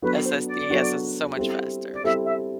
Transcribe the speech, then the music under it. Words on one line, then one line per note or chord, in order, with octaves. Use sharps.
SSDs is so much faster.
F#3 B3 D4 F#4 A4 B4
C5
D5
F#3 B3 D4 F#4 A4
G3 C4 E4 A4
D5
G3 C4 E4 A4 E5
E5